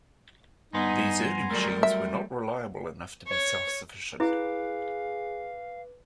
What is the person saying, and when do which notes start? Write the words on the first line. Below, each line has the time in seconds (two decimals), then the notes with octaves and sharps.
These early machines were not reliable enough to be self-sufficient.
0.73 G2 B3 D#4 G#5 A#5 C6
1.51 F#3 G3 A3 A#4
1.83 E5
3.28 C#5
4.20 E4 G#4 B4 F5 D6